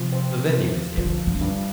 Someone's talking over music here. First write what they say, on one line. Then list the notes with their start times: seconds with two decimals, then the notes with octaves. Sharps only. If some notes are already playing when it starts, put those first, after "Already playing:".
The venue is different.
Already playing: C3 F3
0.12 C4
0.55 F3
0.97 D3 F3
1.27 D3
1.41 G2